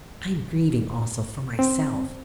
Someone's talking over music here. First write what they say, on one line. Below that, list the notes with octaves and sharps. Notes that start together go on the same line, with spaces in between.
I am grieving also for myself.
C4